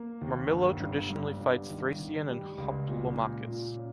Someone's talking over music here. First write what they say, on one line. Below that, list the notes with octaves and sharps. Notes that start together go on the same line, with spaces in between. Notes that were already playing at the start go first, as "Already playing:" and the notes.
Murmillo traditionally fights Thracian and Hoplomachus.
Already playing: A#3
D#2
G1
G2
G2
G1
D#3
D#3
G3
C#2
A#2
A#2
A#2
C#4